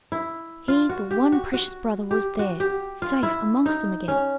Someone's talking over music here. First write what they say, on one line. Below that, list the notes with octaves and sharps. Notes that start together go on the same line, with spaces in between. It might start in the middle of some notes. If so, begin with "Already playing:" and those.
He, the one precious brother, was there, safe, amongst them again!
E4
F4
F#4
G4
F#4
F#4
G4
F#4
G4
F4
E4
D#4
C#4